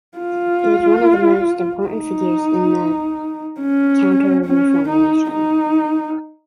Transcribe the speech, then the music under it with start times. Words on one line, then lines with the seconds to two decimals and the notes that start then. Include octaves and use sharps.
He was one of the most important figures in the Counter-Reformation.
0.18 F4
1.88 D#4
3.61 C#4
4.46 C#4
4.88 D#4
5.31 D#4